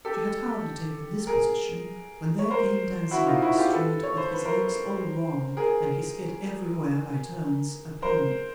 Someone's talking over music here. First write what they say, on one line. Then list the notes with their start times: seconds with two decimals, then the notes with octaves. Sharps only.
She had hardly taken this position, when there came dancing up the street, with his legs all wrong, and his head everywhere by turns, a pony.
0.05 G4 A4
1.27 G#4 A#4
2.39 C#5
2.50 A#4 C5
3.11 E4 F#4
3.27 D#4 F4
3.42 E4 F#4
3.57 F4 G4
3.73 A4 B4
4.03 C#5
4.17 C5
4.31 B4
4.45 A#4 C5
5.57 G#4 A#4
8.02 A#4 C5